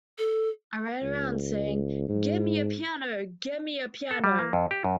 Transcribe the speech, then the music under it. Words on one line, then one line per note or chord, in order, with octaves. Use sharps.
I ran around saying 'Get me a piano, get me a piano!
A4
C#2
G#2
A4
G3
A#3
F2
G4
F#2